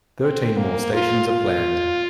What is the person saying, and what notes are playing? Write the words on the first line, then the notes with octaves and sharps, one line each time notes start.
Thirteen more stations are planned.
C4
A#3
F4
F4